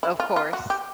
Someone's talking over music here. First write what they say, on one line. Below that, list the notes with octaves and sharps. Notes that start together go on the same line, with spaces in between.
Of course.
E4
F4
F4
F#4
G4